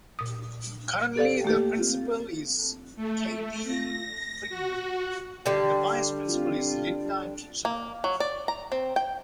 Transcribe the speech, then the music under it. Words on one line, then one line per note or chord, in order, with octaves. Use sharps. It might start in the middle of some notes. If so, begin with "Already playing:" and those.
Currently, the principal is Kathy Friedman, and the vice principal is Linda Kitchler.
A#2 D#6
G4 A4 D5 F5
A3 A#3 G4 A4
A3
A#6
F#4
D3 G3
A#3
F#3
D5
A#5
C4
G5